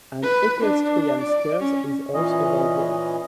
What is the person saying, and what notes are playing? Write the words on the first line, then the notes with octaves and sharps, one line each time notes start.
An equestrian steers his horse over a gate.
B4
D4
D5
C#4
A#2 E3 C#4 D#5